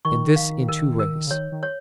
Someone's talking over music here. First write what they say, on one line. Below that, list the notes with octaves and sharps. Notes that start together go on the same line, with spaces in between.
And this in two ways.
D#3 C#6
F5
A#4
A#4
C#3
D#3 C#5
D#3
C#5